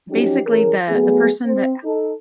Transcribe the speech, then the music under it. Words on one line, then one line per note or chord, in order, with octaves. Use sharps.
basically, the the person that
F3 F#3 C#4 D#4 G4
E3 C#4 G#4 A#4
F#3 A3 B3 G#4
C4
D#4 A4